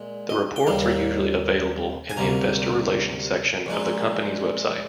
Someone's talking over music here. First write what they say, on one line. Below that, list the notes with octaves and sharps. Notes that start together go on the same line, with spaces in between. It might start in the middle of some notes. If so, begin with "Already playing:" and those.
The reports are usually available in the investor relations section of the company's website.
Already playing: A#2 G#3
D#5
G5
D#2 D#3 G3 F5
G#5
D2 C3 G3 A#3 A#5
A#1 A#2 G#3 D#4